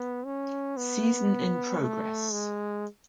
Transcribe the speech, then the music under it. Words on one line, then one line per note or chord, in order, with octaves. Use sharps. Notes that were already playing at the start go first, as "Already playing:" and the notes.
Season in progress.
Already playing: B3
C#4
B3
A3
G#3